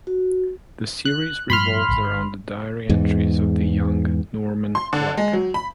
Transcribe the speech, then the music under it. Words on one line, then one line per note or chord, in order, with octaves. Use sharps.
The series revolves around the diary entries of the young Norman Clegg.
F#4
F#6
G2 F3 B5 C6 F6
D1 G1
E2 G#2
C6
D3
G#3
F#3
B5